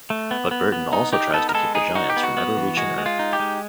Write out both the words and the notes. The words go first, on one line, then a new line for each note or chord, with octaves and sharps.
But Burton also tries to keep the Giants from ever reaching Earth.
A3
B3
B3
B3
D#4
D#4 G4
B3 A4
A#4
G#3 A4
D#4 G#4
D#4 F#4
G4
B3
F#4
B3
E3
G#3 F#4
G#3
F4
D#4
G4
G#3